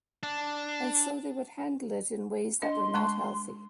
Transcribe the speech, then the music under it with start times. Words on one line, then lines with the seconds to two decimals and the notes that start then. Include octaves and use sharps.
And so they would handle it in ways that were not healthy.
0.23 D4
2.62 D4 D#5 C6
2.94 G#3 A5 C#6